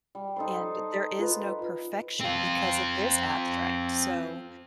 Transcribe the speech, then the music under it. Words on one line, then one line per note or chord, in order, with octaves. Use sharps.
And, there is no perfection, because it is abstract, so
G3
D#4 A4 C5
F4 B4
C4 F4